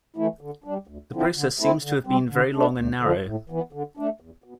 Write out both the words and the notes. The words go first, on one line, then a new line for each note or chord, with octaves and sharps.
The process seems to have been very long and narrow.
E3 A3 E4
D3
G3 D4
D2
D3 F3 C4 E4
D3
A3 C4 E4
D3
G3 C4
D3
A3 D4
D2
D3 F3
A2
E3 B3
D3
A3 D4
E2
B2